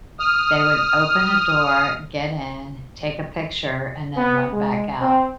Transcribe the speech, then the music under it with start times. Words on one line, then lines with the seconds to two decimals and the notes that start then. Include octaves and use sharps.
they would open the door, get in, take a picture, and then run back out.
0.19 D#6 F6
4.16 B3
4.52 G#3
5.02 C4